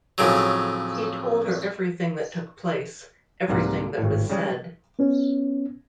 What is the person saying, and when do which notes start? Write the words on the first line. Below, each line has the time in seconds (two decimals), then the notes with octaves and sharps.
He told her everything that took place, everything that was said.
0.18 F2 A2 C#3 F#3
3.48 C2 G#2 C3 A#3 F#5
3.98 G#1 A2
4.30 C#3 G3 G#3
4.99 B3 C#4